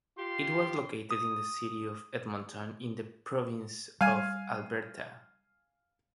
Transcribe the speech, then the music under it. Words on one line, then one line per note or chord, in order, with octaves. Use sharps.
It was located in the city of Edmonton in the province of Alberta.
F4 G4 C6
D#6
G3 F5 G#5